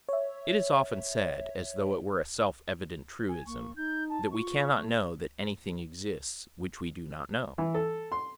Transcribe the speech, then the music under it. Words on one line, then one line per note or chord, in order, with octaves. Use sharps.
It is often said, as though it were a self-evident truism, that we cannot know that anything exists which we do not know.
C#5 E5
G#5
A#3 C#6
D#4 G6
A5
F4 C#6
A3
E3
A4
C6